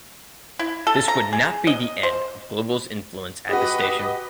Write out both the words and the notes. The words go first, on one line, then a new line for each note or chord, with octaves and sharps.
This would not be the end of Global's influence at the station.
E4
A4
A#5
G#4
D#5
C5
F#4 G4 B4 D#5